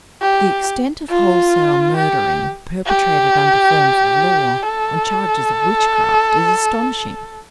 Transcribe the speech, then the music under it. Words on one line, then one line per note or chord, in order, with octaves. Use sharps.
The extent of wholesale murdering perpetrated under forms of law, on charges of witchcraft, is astonishing.
G4
F4
G4
G4
A4